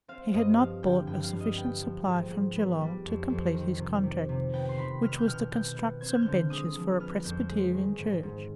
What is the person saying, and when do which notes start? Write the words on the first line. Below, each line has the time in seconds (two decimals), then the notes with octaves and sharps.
He had not brought a sufficient supply from Geelong to complete his contract, which was to construct some benches for a Presbyterian Church.
0.08 C4 F5
0.33 G2 D#5
0.58 F3 F5
0.83 D3 G5
1.07 G2 G5
1.24 F5
1.33 G2
1.41 D#5
1.56 B3 G5
1.82 F3
2.06 G#2
2.31 G#2
2.56 B3
2.81 G3
3.05 F2
3.30 F2
3.54 D#3
3.79 C3
4.03 C3
4.29 C3
4.53 B3 G5
4.69 C6
4.77 D#3 B5
5.02 B3 F6
5.18 G6
5.27 B2 F6
5.51 B2 G6
5.76 B3
6.01 C4 G#6
6.08 G6
6.15 F6
6.22 D3 G6
6.50 G#3 D#6
6.75 F3
7.00 B3 F6
7.24 F2 G6
7.50 G#3
7.74 D#3
7.99 G#2
8.23 G#2